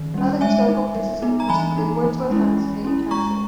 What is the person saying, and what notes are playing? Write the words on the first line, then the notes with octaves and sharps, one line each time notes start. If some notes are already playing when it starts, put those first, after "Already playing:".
Other historical places of interest include Wordsworth House and Hayton Castle.
Already playing: D#3
G3 C#4
G#3 E5 G#5
D#4
G3
B3 D#4
A#5
E3 G#5 B5
A#3 D#4
E3
G#3 C#4 E4
G#3
C#4 E4
G#3 A#5 C#6